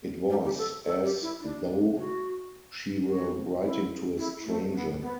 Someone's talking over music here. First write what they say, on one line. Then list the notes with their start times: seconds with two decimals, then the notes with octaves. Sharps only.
It was as though she were writing to a stranger.
0.30 G4
0.44 G4
0.58 A4
0.86 A4
1.03 G4
1.22 E4
1.41 D4
1.96 F#4
3.08 F#4
3.63 E4
4.18 E4
4.45 A3
4.74 B3
5.02 B3